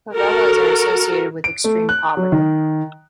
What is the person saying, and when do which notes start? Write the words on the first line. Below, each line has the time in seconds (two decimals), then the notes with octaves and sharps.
Favelas are associated with extreme poverty.
0.14 F#4 A4 A#4
1.44 D7
1.64 A3
1.89 F#6
2.17 F#3
2.32 D#3